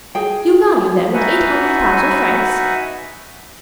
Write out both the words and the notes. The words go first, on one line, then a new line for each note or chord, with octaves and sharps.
"You value them at eight hundred thousand francs?"
G#4 G5
D#4 F#4 B4 E5 F#5 G#5